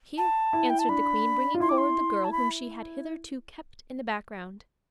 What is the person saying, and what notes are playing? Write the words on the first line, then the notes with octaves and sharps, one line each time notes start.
'Here,' answered the queen, bringing forward the girl, whom she had hitherto kept in the background.
A5
E4
G5
A5
D4 B5
F4
E4 C6
D6
C6
A5
B5